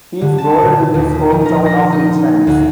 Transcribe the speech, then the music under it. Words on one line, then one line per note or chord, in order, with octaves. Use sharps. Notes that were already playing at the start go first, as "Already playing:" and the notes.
He is buried in his hometown of Richlands.
D3
A5
A#2
D#2
F3
A#4
A#6
D#4
D2